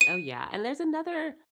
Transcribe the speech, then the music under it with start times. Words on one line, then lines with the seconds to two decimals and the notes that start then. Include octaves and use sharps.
Oh yeah, and there's another,
0.01 D#7